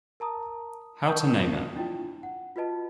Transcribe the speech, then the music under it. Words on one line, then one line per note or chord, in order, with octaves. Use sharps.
How to Name It?
A#4 A5 A#5 D#6
A#4 G5 A5 C#6 D#6 G6
D4 E4 F4 G5
F#5
F4 F#4 B4 D#5 A5